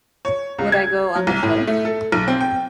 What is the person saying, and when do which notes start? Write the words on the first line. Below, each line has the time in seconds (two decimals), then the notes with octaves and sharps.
Would I go on the show?
0.25 C#5
0.58 C#2
0.72 G#6
1.16 F#3
1.27 C2
1.43 A2
1.67 A3
1.85 A4
2.12 B1
2.28 C4
2.41 G5